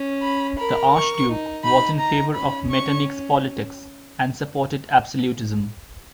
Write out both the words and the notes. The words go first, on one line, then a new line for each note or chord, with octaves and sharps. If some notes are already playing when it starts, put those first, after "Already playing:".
The Archduke was in favour of Metternich's politics and supported absolutism.
Already playing: C#4
B5
A#4 B5
C#6
D#4
D#4 B5
A#5
C#4 B5
C#6